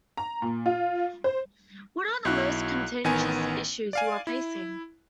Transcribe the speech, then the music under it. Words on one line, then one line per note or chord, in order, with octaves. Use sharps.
What are the most contentious issues you are facing?
A#5
A#2
F4
C5
B1 E4 F#4 F#6
A1 D#3 B3 G#5
D5 F5 G#5
E4